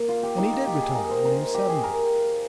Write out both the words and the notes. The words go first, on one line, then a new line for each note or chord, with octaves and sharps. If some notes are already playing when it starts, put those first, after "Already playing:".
And he did retire when he was seventy.
Already playing: A#3
F4
G4
D#4
F4
G4
G#4
A#4
C5
A#4
G4
G#4
A#4